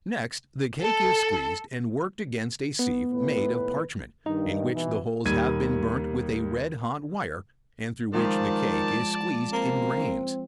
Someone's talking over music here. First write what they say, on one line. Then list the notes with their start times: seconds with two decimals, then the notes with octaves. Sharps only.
Next, the cake is squeezed and worked against a sieve made of parchment, in which the holes have been burnt with a red-hot wire, and through which the cake is squeezed in grains.
0.80 A4
2.79 B3
3.12 D#2 A2 B4
4.26 G2 D#3 D#4
4.73 C2 B2 E3
5.25 D#2 G3 G#6 D#7
8.13 D#3 F3 G#3 D5 A5 C6
9.53 A#3 C4